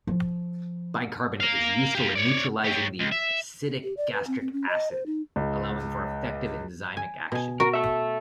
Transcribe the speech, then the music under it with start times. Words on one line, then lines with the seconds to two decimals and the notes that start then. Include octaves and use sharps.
Bicarbonate is useful in neutralizing the acidic gastric acid, allowing for effective enzymic action.
0.07 F3
1.40 A#4 F5
1.95 G4 F5
2.15 C#5 D5
2.64 G4 C#5
2.99 C#2
3.12 E5
3.83 G4
3.97 D5
4.12 B4
4.27 C4
4.41 C4
4.53 C#4
4.69 D#5
4.91 C5
5.06 D#4
5.36 C#2
6.97 G#5
7.32 B2 G#5
7.60 F#4 A#4
7.73 A4 E5